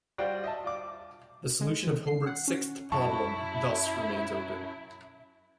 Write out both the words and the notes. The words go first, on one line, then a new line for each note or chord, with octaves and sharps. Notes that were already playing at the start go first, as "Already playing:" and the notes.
The solution of Hilbert's sixth problem thus remains open.
G3 F4 F#4 C5 D5 G5
D#5 E5 A5
F4 D5 D6
G#3
D#3
C7
F#5
C#4
F#2 E4 A5 C#6